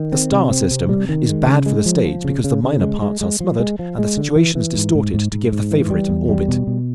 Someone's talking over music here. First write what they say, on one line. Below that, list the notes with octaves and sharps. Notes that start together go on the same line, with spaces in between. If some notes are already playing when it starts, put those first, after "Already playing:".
The star-system is bad for the stage because the minor parts are smothered and the situations distorted to give the favorite an orbit.
Already playing: D#3
C4
C3
C4
C3
G3
D#3
G#3
C#3
G#3
F3
F3
C#3
C#3
C#3
G#3
G#3
G#3
F3
G#3
F3
G#3
D3
E3
E3
G#2
G#2
G#2
G#2
G#2
E3
G3
E2
G3
B2
B2